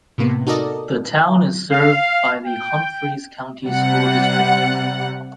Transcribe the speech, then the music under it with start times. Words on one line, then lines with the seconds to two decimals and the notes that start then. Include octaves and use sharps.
The town is served by the Humphreys County School District.
0.18 A2 C3 A#3 B3
0.47 D#4 F#4 A4 A#4 D5 D#5
1.72 F5
2.46 G5
3.66 C3 G3 F#5